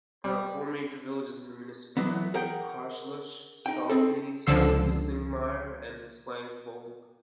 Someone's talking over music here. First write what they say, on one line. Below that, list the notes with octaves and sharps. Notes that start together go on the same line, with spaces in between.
There are four major villages in the municipality: Karlshus, Saltnes, Missingmyr, and Slangsvold.
G3
E3 F#3 B3
G#4 A#4 F#5 G5
D#4 G5
C4 G#4 A4
C#2 D3 F3 A4 E6 C7